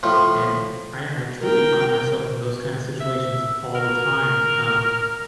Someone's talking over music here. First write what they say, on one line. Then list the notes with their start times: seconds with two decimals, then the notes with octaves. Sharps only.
And I I truly find myself in those kinda situations all the time, um,
0.03 A2 F3
1.41 A#4 G5
3.01 E5
3.75 A#4